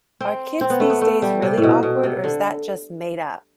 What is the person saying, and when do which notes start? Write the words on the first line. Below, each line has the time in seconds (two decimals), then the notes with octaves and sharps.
Are kids these days really awkward or is that just made up?
0.21 C4
0.61 C4
0.70 B3
0.80 A3
0.90 B3
1.01 A3
1.22 G3
1.42 C3
1.57 A2
1.63 B2
1.83 B2
2.03 C3
2.24 D3